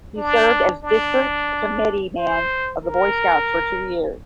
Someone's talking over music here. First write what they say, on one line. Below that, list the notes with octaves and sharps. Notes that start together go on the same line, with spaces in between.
He served as district committeeman of the Boy Scouts for two years.
D4
D4
C5
A#4